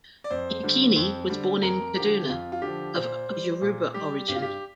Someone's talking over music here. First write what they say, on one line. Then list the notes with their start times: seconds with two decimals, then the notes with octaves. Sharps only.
Yekini was born in Kaduna, of Yoruba origin.
0.24 D5
0.30 F2 C5
0.63 D3 G3
0.96 F2
1.29 D3 G3
1.62 F2 A#4
1.96 D3 F3 G4
2.30 F2 F4
2.52 F4
2.62 D3 G4
2.67 F3
2.95 A#2 C5
3.29 G3 C5
3.61 A#2
3.94 G3 G4
4.28 G2 G4
4.35 F4
4.42 G4